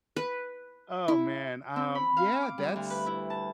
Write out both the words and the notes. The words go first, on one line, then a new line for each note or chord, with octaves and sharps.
Oh, man. Um, yeah. That's
B4
E4
C4
B5
F5
D6
G3
D2
B4
E4
A5